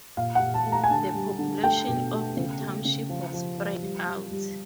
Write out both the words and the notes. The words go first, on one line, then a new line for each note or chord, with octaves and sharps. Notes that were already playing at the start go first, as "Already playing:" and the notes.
The population of the Township was spread out.
A#2 F5
F#5
A#2
A5
A3
A#5
G#5
D3 A5
G3
D3
A3 G5
B2
A3
C#3
A3
C#3
F3
F3
F3
G3
G3
G3